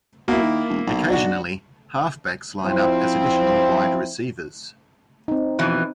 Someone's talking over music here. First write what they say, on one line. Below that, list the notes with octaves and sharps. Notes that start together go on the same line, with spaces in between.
Occasionally, halfbacks line up as additional wide receivers.
B2 A#3 E4
D#3
E1
B1
D4 F#4
F3 C4 E4
C4 D#4
F2 B2 E3